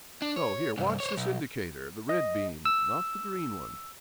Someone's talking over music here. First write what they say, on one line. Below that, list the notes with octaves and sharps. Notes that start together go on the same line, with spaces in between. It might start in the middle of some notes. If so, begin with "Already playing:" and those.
No--here, watch this indicator--the red beam, not the green one.
D4
C#5
C2 G2
C5 C#5
B1
D#5
E6